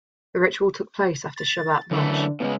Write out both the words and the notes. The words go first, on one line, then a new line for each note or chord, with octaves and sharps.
The ritual took place after Shabbat lunch.
A6
F#2 D3 E3 A3
A2 C#3 G#3 B3